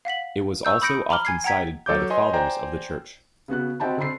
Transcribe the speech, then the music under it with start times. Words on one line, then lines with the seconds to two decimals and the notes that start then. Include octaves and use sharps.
It was also often cited by the Fathers of the Church.
0.05 F5 F#5 B6 F#7
0.65 C#6 E6 G6
0.82 B5 D#6 G6 A#6 C#7 D7
1.10 A#5 B5 D6 F6 G7
1.25 G#5 G#6 C7
1.44 F#5 G5 A#5 G#6 B6
1.86 F#3 A4 C#5 D6 G6
2.10 B4 C#5 D#5 G#5 C6
2.33 C5 D5 G5 G#5 A#5
3.48 C#3 B3 F#4 F#6
3.80 C4 F#4 D#5 G5 A5 B5
3.97 D3 C4 A4 B5 C7